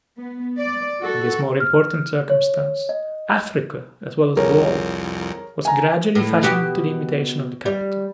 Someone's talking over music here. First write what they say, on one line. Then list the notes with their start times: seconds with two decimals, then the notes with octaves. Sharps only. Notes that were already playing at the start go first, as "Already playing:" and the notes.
In this more important circumstance, Africa, as well as Gaul, was gradually fashioned to the imitation of the capital.
0.19 B3
0.58 D5
1.01 F#4 A4
1.60 F6
2.30 C#5
2.89 D#5
4.36 C2 F2 G#4 A#4 C#5
5.65 G#5 A#5
6.15 A2
6.43 B2 F#4 G4
7.66 G3